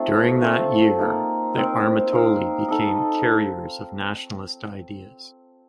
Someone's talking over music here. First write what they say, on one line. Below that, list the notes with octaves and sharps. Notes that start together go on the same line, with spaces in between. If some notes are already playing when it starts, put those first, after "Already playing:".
During that year the armatoloi became carriers of nationalist ideas.
Already playing: A3 C4 D#4 F4
A3 C4 F4 A4
A#3 D#4 A#4
C4 D#4 A#4
D#4 A#4 F5
D#4 A4 D#5